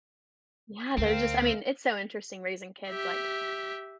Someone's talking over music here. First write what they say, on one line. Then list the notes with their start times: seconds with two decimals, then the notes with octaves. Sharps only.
Yeah, they're just I mean, it's so interesting raising kids like
0.97 D2 C4 A#4 F5
2.89 G4 E5